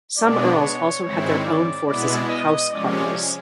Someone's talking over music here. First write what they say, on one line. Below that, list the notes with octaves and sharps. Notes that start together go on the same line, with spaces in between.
Some earls also had their own forces of housecarls.
B2 G#3 B3 D4 D5
C#5
G#2 D#3 G#3 C4 E4 C#5
D5
B2 G#3 B3 E4 D5
D#5
C3 F3 G#3 C#4 D5